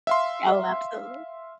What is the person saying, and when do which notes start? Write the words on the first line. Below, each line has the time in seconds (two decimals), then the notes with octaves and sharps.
Oh, absolute
0.07 E5 F5 C6